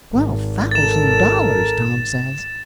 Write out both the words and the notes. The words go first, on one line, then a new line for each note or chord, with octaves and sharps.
"Twelve-thousand-dollars!" Tom says.
G#1
A4 A#4 A6 E7